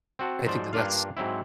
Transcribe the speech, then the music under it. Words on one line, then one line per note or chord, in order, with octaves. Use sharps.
I think that that's
C4 F#4 A5
G#2 F3 F#3 C5 D5
G2 A#3 D4 F4 F5
G#2 F#3 C4 E4